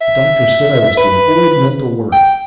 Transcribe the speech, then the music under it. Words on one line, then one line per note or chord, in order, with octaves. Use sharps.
The doctor said I was to avoid mental worry.
E5
B4
G5